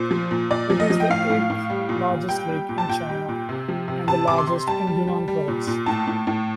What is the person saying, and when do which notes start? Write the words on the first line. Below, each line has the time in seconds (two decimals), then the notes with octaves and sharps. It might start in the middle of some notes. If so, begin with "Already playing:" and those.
It is the eighth largest lake in China and the largest in Yunnan Province.
Already playing: A#2 C5
0.11 F3
0.31 A#2
0.51 A#2 D5
0.70 F3
0.80 D#5
0.90 F3
1.00 G5
1.10 A2 F5
1.30 A2
1.50 A2
1.70 G3
1.89 A#2
2.10 A#2
2.29 G3 G5
2.48 G3
2.69 A#2
2.78 A5
2.88 A#2 G5
3.09 G3
3.28 A#2
3.49 C3
3.68 F3
3.88 C3
4.07 C3 A5
4.28 C3 D6
4.38 C6
4.47 C3
4.68 G3 A5
4.87 G3
5.07 G3
5.28 G3
5.48 A#2
5.67 A#2
5.86 A2 A5
6.07 A2
6.27 A2